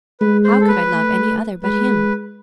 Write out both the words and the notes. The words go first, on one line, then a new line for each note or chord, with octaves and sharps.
How could I love any other but him?
G#3 B4
C5
A4
B4
A3
G#3 B4